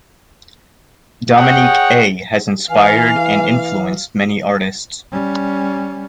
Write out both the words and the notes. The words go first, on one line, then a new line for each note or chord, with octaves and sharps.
Dominique A has inspired and influenced many artists.
G#4 C#5 D#5 F#5 G5
E3 F5 G#5
G3 C#4